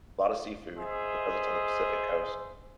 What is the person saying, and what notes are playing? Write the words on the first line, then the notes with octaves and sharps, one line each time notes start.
lotta seafood because it's on the Pacific Coast.
G#4 C5 D#5 E5